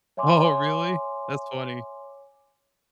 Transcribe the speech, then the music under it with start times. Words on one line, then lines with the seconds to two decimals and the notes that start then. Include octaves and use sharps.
Oh, really? That's funny.
0.17 C#5 E5 G#5 C6 D6